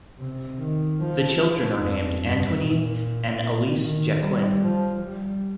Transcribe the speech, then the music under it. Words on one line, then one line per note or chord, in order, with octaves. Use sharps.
The children are named Antoine and Elise Jacquin.
C3
D#3
F3
F3
F2
G2
A#2
D#3
G3
F3
G3